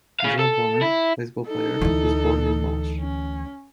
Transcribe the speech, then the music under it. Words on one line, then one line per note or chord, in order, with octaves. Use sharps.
Joe Bauman, baseball player, was born in Welch.
G#4 F5
A4
E4
D#4 A4
D2 E3
C#4